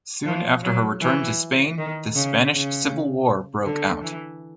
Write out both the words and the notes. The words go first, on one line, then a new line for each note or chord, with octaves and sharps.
Soon after her return to Spain, the Spanish civil war broke out.
F3
F#3
E3
D#3
C#3
C#3
D3
E3